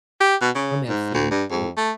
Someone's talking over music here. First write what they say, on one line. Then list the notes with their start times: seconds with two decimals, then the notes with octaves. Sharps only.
from Epstein through
0.21 G4
0.41 B2
0.55 C#3
0.89 G#2
1.14 D2
1.31 G2
1.50 F2
1.77 A3